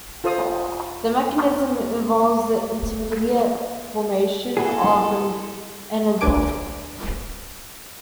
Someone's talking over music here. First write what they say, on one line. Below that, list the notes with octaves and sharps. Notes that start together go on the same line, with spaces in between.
The mechanism involves the intermediate formation of an "enediol".
F4 A4 C5 F5 D#6
E4 F#4 G#4 A4 B4
D2 D4 B4 G#5 D6 D7